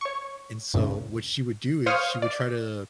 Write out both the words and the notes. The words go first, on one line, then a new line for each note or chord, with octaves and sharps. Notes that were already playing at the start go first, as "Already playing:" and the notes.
and, so, what she would do is she would try to
C#5 C#6
A1 D2 G2 C#3
C5 C#5 F5 C#6 D#6 F6
D5